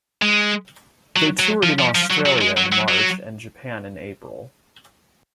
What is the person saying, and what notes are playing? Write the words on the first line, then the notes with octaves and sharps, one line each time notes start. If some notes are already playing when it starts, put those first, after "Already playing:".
They toured in Australia in March and Japan in April.
G#3
F#3
F#3
F3
F3
F3
F#3
F#3
G#3
F#3
F#3
F#3